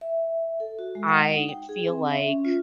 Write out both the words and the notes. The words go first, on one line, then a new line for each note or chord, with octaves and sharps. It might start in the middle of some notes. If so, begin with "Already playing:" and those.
"I feel like
E5
A4
F#4
G#3
F#5
D#4
G5
G#4
C4
E5
C#4
F4